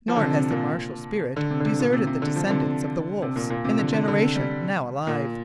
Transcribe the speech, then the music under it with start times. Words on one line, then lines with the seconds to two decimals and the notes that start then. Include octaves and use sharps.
Nor has the martial spirit deserted the descendants of the Wolfes in the generation now alive.
0.08 F3
0.16 D3
0.22 C3
0.36 C3
0.50 A#2
1.36 D3
1.50 C3
1.60 D3
1.65 C3
1.79 A#2
1.93 C3
2.07 C3
2.22 D3
2.36 F3
2.46 C3
2.50 D3
3.22 C3
3.36 A#2
3.50 A#2
3.65 C3
3.79 D3
3.93 D3
4.08 D3
4.17 C3
4.36 G3
5.07 A#2